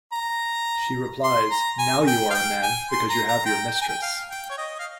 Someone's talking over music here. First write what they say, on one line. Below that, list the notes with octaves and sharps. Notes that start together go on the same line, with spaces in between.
She replies, Now you are a man because you have your mistress...
A#5
C6
A#5
G#5
G5
F5
G5
G#5
C6
A#5
A#5
G5
G5
G#5
G5
F5
G5
C#5
D#5
F5